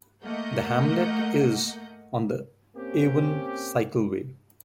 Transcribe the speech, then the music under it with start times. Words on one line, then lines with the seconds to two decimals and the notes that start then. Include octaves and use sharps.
The hamlet is on the Avon Cycleway.
0.24 A3 A#3 D#5 F#5 G6
2.76 A#3 C4 C#4 G4